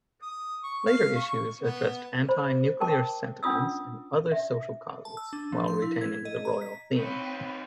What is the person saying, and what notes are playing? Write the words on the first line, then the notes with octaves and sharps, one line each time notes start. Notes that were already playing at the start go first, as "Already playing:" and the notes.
Later issues addressed anti-nuclear sentiments and other social causes while retaining the royal theme.
D#6
C#6
F5
C#6
B3
C5 B5
A#4 G5 A5 D6
C#4 D4 F4 D#6 E6
E5
A5
E6
D4
F3
C6
E4
G#6
D#5
A#5
B6
D#3 C4 B4 C#5